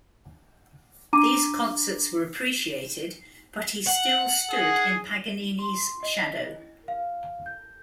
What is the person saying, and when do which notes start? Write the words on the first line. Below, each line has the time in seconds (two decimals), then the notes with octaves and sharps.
These concerts were appreciated, but he still stood in Paganini's shadow.
1.13 D4 A#5 D6 D#7
3.87 F#5
4.50 G#4
5.59 C6
6.03 D#5
6.88 F5
7.46 G6